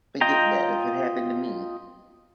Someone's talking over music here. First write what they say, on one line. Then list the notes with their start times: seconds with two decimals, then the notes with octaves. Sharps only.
forget that if it happened to me.
0.21 F4 D#5 G5 A#5